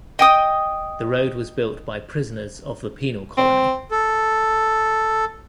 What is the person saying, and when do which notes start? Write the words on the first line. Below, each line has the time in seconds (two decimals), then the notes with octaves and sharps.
The road was built by prisoners of the penal colony.
0.19 D#5 G5 D#6
3.37 C4
3.91 A4